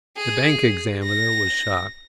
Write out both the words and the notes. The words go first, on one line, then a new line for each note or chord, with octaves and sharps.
The bank examiner was shocked.
G#4
A#6